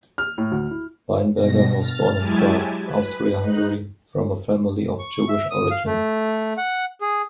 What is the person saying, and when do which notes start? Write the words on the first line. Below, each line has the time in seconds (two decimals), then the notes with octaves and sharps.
Weinberger was born in Prague, Austria-Hungary, from a family of Jewish origin.
0.18 F6
0.38 A2
0.52 D2
0.71 E4
1.35 G2 B2 A#6
1.76 F6 A6
2.17 F#3 G#3 E4 G4 G#5 A5
2.83 B4
3.38 D#4 F#6
4.99 C#6
5.29 E5
5.51 D#6
5.71 F5
5.86 A3
6.58 F#5
7.01 G#4